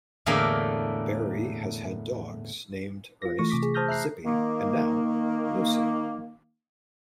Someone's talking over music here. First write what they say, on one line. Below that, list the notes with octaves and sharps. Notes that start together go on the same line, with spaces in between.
Barry has had dogs named Earnest, Zippy, and now Lucy.
E2 A2 D3 A3 A#3 F5
F4 A#6
E3 A3 C#6 A#6
C3 D6 B6
G#4
C5 A5 D#6 F6 G6 A#6
E5 A#5 F6 F#6 C7
D#3 A#3